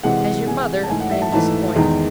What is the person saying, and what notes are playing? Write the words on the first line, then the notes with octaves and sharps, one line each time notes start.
As your mother, I am disappointed.
C3 E3 G#3 F#5
C3 E3 G#3 G#5
A5
G#2 E3 A3 G#5
F#5
E5
A5
G#2 E3 A3 A5
E2 D#3 G#3